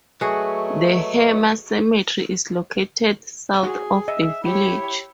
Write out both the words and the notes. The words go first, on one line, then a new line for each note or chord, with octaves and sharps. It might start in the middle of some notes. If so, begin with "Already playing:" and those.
The Hamer Cemetery is located south of the village.
F#3 A3 F#4 G#4 B4 D#5 C#6
F#4 G#4
D#5 E5
E4 G4 C#5